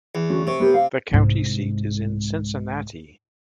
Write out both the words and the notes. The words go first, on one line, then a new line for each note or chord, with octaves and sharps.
The county seat is Cincinnati.
E2
D2 C#4 F#4
C3 C#5
B3 G4 A#4
F5
C2 G#2